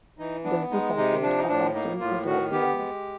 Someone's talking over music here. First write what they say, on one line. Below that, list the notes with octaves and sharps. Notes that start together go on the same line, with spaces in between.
Those affected are often adult males.
E3 D#4
B3 D4
G#3 D#4
C3 D#4
F3 D4
D#4
A2 D4
A#3 D#4
A2 F4
D#3 F#4
B3 G4
G#3